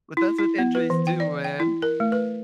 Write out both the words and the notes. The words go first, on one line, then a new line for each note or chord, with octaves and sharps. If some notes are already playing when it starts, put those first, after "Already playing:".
But that's what injuries do, man.
E4
E4
B3
B4
E3
G5
D5
G5
E4
A#4
A3
B4